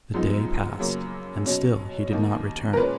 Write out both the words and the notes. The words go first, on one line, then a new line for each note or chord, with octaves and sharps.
The day passed, and still he did not return.
F#2 F3 G#3 B3 D#4
F#2 C#3 F#3 A#3
B2 F#3 C#4
D#2 D#3 A#3 D#4
A#4
A#2 G#3 C#4 B4